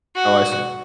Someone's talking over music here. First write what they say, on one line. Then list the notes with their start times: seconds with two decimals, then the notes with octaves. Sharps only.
Oh, I see.
0.15 F#4